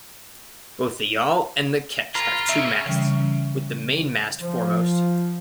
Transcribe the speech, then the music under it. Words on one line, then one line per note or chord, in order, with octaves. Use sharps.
Both the yawl and the ketch have two masts, with the main mast foremost.
F4 A#5 B5 F6
C#3 E5
C#3 E3 G3 C#4
F3